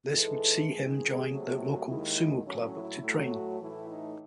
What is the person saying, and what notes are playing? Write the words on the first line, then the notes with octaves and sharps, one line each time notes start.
This would see him join the local sumo club to train.
G#2 E3 G#3 A4
G#2 D#3 G#3 G#4
C3 F#3 A3
F#4
D#2 D#3 G#3 E4
A2 F#3 A3 C#4
E4
A2 F#3 A3
F#4
A2 E3 A3 E4
D#4